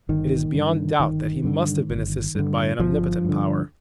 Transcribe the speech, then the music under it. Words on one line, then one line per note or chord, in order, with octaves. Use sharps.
It is beyond doubt that He must have been assisted by an omnipotent power.
G1 D#3
G2 D3
G1 D#3
G2 D3
G1
G2 D3
G1 F3
G2 D3